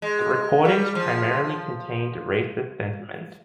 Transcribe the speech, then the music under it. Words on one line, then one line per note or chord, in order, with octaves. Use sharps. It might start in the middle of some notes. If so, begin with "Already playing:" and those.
The recordings primarily contained racist sentiment.
G#3
G3
F3